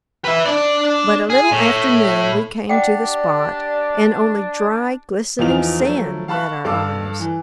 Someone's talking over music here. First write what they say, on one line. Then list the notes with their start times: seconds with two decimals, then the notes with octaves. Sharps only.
But a little after noon we came to the spot, and only dry, glistening sand met our eyes.
0.25 B4 E5
0.46 D4 D5
1.30 G#4
1.51 A2
2.69 D4 G4 D5 F#5 G5
5.39 E2 E3 F3 D#4 F4 F7
5.81 F3 F#3 A3
6.28 F5 A5 B5 C#6 F#6
6.64 G2 A4 F5 D6 E6
7.20 E3